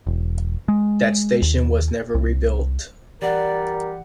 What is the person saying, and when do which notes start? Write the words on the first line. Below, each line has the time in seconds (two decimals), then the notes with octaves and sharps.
That station was never rebuilt.
0.07 E1
0.68 G#3
1.42 D#2
2.15 C2
3.22 E3 G3 A#4 D5 F#5